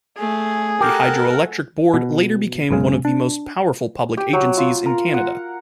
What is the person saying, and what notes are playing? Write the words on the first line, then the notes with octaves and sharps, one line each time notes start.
The Hydro-Electric Board later became one of the most powerful public agencies in Canada.
A3 G#4
G4 A4 A#4 F#5
B2
B1 F#2 C#3 G#3
D4
G4
F#3
F4
A#4
F#5